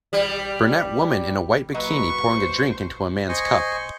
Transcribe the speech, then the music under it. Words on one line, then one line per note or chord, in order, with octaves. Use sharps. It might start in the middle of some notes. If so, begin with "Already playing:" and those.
Brunette woman in a white bikini pouring a drink into a man 's cup.
G3
F#3 A#3 B4 D#5 C#6
C5
C5 D#5 G#5 C#6